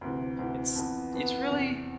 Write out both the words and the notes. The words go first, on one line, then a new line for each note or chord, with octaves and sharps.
It's it's really
D2 C3 E3
D2 C3 E3
F2 E3 B3
F2 E3 B3
E2 C3 E3